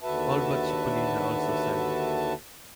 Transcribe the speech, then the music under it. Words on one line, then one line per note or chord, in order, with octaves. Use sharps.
All but Cipollina also sang.
D#2 D3 F#4 B4 E5 A5